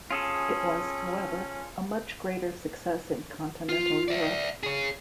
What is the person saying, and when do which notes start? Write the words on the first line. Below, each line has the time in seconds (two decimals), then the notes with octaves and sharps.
It was, however, a much greater success in Continental Europe.
0.11 C#4 F4 G#4 A4
3.69 F4
4.08 D5 E5
4.63 G#4 C#5